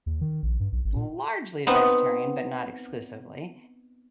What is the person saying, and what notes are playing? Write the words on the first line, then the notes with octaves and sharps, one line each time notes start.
largely vegetarian, but not exclusively;
D#2
D#3
A#1
G2
B1
G#1
A#2
B3 C4 D#4 F#5